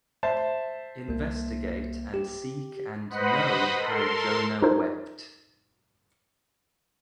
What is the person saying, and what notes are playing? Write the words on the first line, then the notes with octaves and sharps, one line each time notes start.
Investigate and seek and know how Jonah wept.
C5 E5 A5
C2 A#3
G4
B4 C5 D#5 F#5 B5
A4 A#4 C6
D#4 F4 A4 A#4 C5